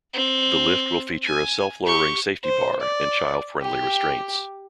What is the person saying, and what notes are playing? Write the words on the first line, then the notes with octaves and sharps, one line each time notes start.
The lift will feature a self lowering safety bar and child friendly restraints.
C4
G#5
G4 C#6
C5
D5
G4